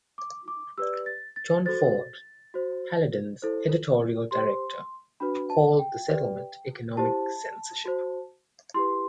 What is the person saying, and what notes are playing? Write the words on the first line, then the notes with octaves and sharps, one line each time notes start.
Jon Ford, Paladin's editorial director, called the settlement economic censorship.
D6
D6
G4 B4 D5 E6
A6
A6
F#4 A4 C5 A6
F#4 C5
E4 A4 C5
G4 C5 C6
D4 F#4 B4 B5
A5
G5
G4 B4 D5
E4 G4 C5 A5
F#4 C5
E4 G4 B4 C6